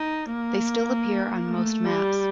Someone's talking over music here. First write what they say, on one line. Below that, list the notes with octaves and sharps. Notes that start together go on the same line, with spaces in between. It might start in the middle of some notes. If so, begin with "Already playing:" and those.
They still appear on most maps.
Already playing: D#4
A#3
A3
G3